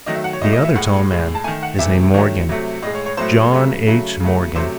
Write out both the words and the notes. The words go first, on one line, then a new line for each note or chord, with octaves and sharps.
The other tall man is named Morgan, John H. Morgan.
D#3 F#3 A3 D#5
E5
F#5
C#5
A2 F#3 A3 D#5
D#5
E5
A2 G#3 F#5
A2 G#3
A5
D#3 A3 G#5
F#5
C3 E3 A3 E5
D#3 F#3 A3 C#5
C3 F#3 A3
A2 G#3 D#5
C#5
C#5
A2 F#3 A3 C5
C#3 F#3 A3
C#3 F#3 A3
C#3 F#3 A3
C3 F#3 A3 C5